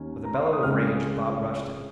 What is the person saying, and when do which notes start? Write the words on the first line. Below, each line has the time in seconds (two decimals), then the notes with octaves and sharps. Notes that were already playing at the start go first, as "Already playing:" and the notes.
With a bellow of rage, Bob rushed him.
Already playing: D#2 D#3 A#3 C#4
0.25 A#5
0.34 C6
0.44 C#6
0.53 D#6
0.63 C#2 C#3 G#3 C4 F6